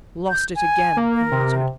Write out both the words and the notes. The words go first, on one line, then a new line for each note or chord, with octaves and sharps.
"Lost it again!" he muttered.
G6
G#5
A#3
A#4
C3